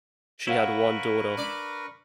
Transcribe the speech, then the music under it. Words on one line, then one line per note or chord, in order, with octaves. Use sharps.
She had one daughter.
E4 A#4 B4 C#5 F5 F#5 C#6
D4 D5